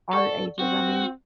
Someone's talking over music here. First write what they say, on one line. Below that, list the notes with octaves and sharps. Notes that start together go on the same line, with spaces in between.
our ages, I mean.
A4 D5 F#5 C#6
C4 F#4